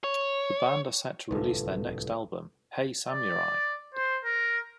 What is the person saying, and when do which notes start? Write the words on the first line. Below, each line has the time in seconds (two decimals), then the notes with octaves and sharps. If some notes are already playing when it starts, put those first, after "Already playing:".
The band are set to release their next album, Hey Samurai!
0.04 C#5
1.31 D1 C2 F4 A4 B4
3.09 D5
3.95 C5
4.25 A#4